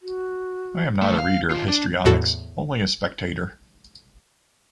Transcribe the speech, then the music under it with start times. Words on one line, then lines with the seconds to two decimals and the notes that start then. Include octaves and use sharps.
I am not a reader of histrionics, only a spectator.
0.02 F#4
1.02 D2 A3
1.18 F5
1.51 D#3 F4
1.68 D4
2.05 E2 A2 F#4 A4